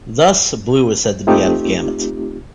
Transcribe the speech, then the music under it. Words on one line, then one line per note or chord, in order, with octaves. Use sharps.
Thus, blue is said to be out of gamut.
A3 C4 D#4 F4 G4